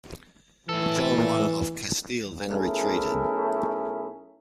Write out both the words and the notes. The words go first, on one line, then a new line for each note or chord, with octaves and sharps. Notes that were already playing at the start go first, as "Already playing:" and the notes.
John I of Castile then retreated.
A2 E3 A4
B1 A3 C#4 E4 G#4 A#4